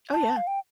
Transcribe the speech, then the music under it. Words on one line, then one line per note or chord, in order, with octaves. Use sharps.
Oh, yeah.
A5
F5
G5